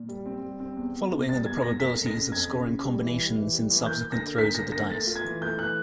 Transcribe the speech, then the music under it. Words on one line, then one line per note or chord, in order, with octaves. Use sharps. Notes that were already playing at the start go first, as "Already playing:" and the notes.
Following are the probabilities of scoring combinations in subsequent throws of the dice.
Already playing: A#2
G3
C4
G3
C4
E2
E2
B2
G3 A6
E2 G#6
E2 A#6
A#3 B6
F2
A#6
C#3
F2 G#6
C#3
C#3
G3
E3
G3
E3
G3
E3
A#3 G6
A#3
A#6
D3
A#3 B6
D3 A#6
A#3 A#6
A3 A6
F4
G#6
E3
A3 G6
E3 F#6